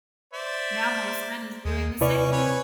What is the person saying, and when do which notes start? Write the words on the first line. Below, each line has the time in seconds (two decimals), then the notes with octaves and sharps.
now my son is doing the same,
0.34 C5 D5 E5
1.65 D#2 G#3
2.01 C3 C#4 E4 B4 D5 C#6
2.32 C4 B4 C#5 G#5